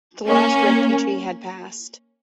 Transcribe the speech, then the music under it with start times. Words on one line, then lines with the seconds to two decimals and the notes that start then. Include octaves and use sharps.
The last refugee had passed.
0.27 A#3 C#4